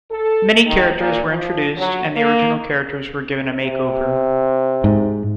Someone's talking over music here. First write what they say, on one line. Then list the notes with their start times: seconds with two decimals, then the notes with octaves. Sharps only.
Many characters were introduced and the original characters were given a makeover.
0.11 A4
0.66 D#3
0.99 A#2
1.28 F3
1.77 F#3
2.17 A#3
3.64 C3
4.84 G#2